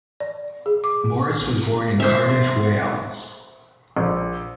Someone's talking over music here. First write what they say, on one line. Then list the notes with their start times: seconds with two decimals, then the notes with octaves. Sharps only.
Morris was born in Cardiff, Wales.
0.20 D5
0.66 G#4
0.84 D6
2.00 C5 E5
3.97 A#1